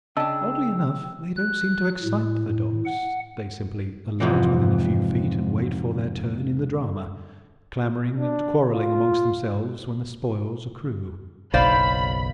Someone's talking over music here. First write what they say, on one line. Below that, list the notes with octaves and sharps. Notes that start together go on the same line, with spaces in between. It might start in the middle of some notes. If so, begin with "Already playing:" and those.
Oddly enough, they don't seem to excite the dogs; they simply alight within a few feet and wait for their turn in the drama, clamouring and quarrelling amongst themselves when the spoils accrue.
C#3 D4 D#5 G5 A5 E6
F#6
A2
F#5
F2 G#2 C3 E3
D4
F4
F#1 B1 C5 D5 F5 B5